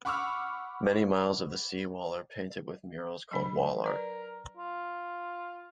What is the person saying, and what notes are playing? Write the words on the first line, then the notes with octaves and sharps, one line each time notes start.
Many miles of the seawall are painted with murals called "wall art".
F#5 B5 C#6 D6 E6 F6
F#3 D4 B5
A#4 B4 D5
F4